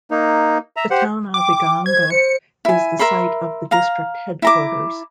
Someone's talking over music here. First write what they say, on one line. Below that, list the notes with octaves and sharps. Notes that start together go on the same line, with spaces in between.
The town of Iganga is the site of the district headquarters.
A#3 D#4
E5 A#5
G4 C5 F#5
G5 D6
C5 G#6
C5 C#7
E4 G#5
A#4 E5 B5 C6
F5 A#5
E4 A#5 D6